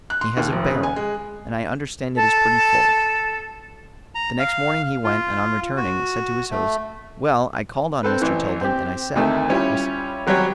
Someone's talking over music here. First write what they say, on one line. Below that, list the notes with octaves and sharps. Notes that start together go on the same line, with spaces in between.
He has a 'barrel,' and I understand it is pretty full." The next morning he went, and on returning said to his host: "Well, I called on Mr. Tilden, and I said: 'Mr.
F#6
C6
D#2
F1
C#3
G#5
G#3
A4
A#5
F5
F4
F#4
A3
C4 A4 B4
A1 E3
C4 G4
D2 C3 D#3 A3
G3 C#4 E4 F4
G#1 F#3 G3 G4 C#5